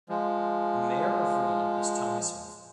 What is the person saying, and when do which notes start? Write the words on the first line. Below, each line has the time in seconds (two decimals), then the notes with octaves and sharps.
The Mayor of Reed is Tommie Smith.
0.09 F3 G#3